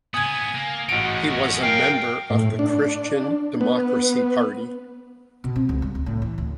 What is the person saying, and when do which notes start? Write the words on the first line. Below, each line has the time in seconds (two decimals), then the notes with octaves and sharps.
He was member of the Christian Democracy Party.
0.14 C#3 B3 G#5 D#6 G#6
0.55 A#3
0.89 A1 G#3 D#4 F#4 D#5 D7
1.30 F#3 C#4
1.62 A#4 F5 G5
2.30 A2
2.59 D4
3.61 B3
5.44 B2
5.56 C4
5.69 C#2
5.82 G3
5.95 D2
6.06 A2
6.22 E3
6.38 D2